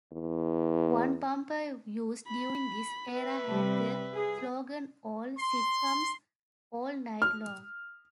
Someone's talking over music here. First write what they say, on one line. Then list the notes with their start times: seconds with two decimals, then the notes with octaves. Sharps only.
One bumper used during this era had the slogan "All Sitcoms, All Night Long".
0.12 E2
2.27 B5
3.11 B4 E5
3.47 C3 G3
4.13 G#4
5.36 C6
7.22 F6